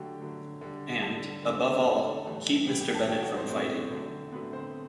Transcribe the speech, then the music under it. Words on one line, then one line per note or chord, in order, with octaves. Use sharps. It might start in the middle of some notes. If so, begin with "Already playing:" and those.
And, above all, keep Mr. Bennet from fighting.
Already playing: D3 F#3 A3 G4 G5
D3 F#3 A3
D3 G3
D3 G3 A4 A5
D3 A3
D3 A3 A4 A5
A2 E3 G3
A2 E3 G3 G4 G5
G4 G5
A4 A5
B2 A3 G4 G5
F#4 F#5
C4 C5
B2 A3 C4 C5
D3 F#3 A3
D3 F#3 A3 B3 B4
C4 C5